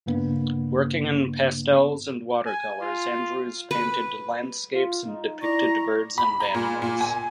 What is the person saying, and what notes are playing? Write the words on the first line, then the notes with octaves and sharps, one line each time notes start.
Working in pastels and watercolours Andrews painted landscapes and depicted birds and animals.
G2 C#3 A#3 B3 D4
G#5
F4
B4
F4
D#4
E4 D5 A#5 C#6
B5
A#5
A#2
A#2
G#5